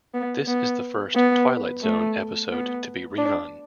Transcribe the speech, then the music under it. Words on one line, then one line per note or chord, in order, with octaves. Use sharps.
This is the first "Twilight Zone" episode to be rerun.
B3
B3
B3
A3
B3
D4